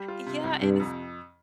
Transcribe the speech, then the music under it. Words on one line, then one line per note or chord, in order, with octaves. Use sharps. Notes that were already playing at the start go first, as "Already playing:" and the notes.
Yeah, and it's
Already playing: G3
F4
C3
C2
G2 C3
F2